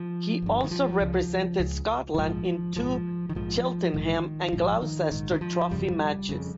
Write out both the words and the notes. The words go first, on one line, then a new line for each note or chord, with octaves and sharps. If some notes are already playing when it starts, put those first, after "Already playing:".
He also represented Scotland in two Cheltenham and Gloucester Trophy matches.
Already playing: F3
G1 G2
D#3
F3
C#2 C#3
C#2 C#3
D#3
A#1 G#2 F3
A#1 G#2 F3
D#3
A#1 G#2 F3
A#1 G#2 D#3
A#1 G#2 F3
D#3
A#1 G#2 D#3
D#3
F3
G1 F2 C#3 G3
F2 C#3